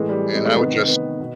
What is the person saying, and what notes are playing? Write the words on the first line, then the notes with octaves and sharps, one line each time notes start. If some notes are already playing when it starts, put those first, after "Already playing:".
and I would just
Already playing: A2 E3 G#3
G3
G#3
A3
C3 D#3 B3
B3
B3
B2